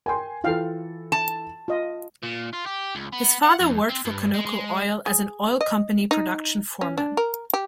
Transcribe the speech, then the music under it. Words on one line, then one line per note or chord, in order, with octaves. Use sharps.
His father worked for Conoco Oil as an oil company production foreman.
A#4 G5 G#5 C6
E3 F4 A4 F5 G5
A5
F4 D#5
A#2
F4
G4
C#2
B3
F#5
F2
C4
G2
G#3
G#3
G#4
D#5
D#4
C#4
D4
A#4
G4